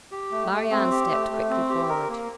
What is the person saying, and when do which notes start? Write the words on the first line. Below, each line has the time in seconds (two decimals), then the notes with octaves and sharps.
Marie-Anne stepped quickly forward.
0.11 G4
0.31 A3
0.51 A3
0.71 C4
0.91 G4
1.11 A3
1.30 A3
1.50 C4
1.69 G4
1.89 A#4
2.09 A#3